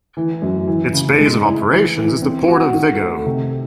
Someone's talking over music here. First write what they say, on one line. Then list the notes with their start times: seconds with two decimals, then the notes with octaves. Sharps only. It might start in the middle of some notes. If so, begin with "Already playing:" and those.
Its base of operations is the port of Vigo.
0.17 E3
0.42 F#2
0.68 E3
0.93 C#3
1.19 G#3
1.46 E4
1.71 E3
1.97 E3
2.22 C4
2.48 F#4
2.74 D#3
3.00 A3
3.26 C3